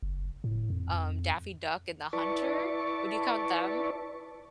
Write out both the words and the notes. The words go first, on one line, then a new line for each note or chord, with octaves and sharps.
um, Daffy Duck and The Hunter, would you count them?
F#1
A2
F2
E4 B4 D5 A5 C#6